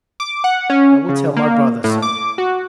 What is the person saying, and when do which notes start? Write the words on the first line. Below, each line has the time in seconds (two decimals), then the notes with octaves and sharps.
I will tell my brother so.
0.20 D6
0.44 F#5
0.70 C#4
1.09 C#3
1.37 A#3
1.84 A2
2.02 D6
2.38 F#4